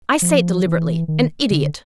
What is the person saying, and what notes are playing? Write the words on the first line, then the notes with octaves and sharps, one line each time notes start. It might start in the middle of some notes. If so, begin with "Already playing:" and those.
I say it deliberately--an idiot!
F3
E3
D#3
D3